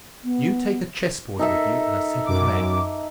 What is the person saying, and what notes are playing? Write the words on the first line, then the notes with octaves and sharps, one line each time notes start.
You take a chessboard with you and a set of men.
B3
D#4 A4 E5
F#2 D6